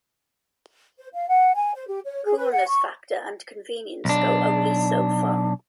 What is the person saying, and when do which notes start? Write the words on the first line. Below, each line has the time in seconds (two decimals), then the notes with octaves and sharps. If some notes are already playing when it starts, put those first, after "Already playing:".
Coolness factor and convenience go only so far.
0.98 C5
1.14 F5
1.28 F#5
1.54 G#5
1.75 C5
1.87 G4
2.05 C#5
2.24 G#4
2.38 B4
2.52 F#5
2.67 C#6
4.05 B1 D4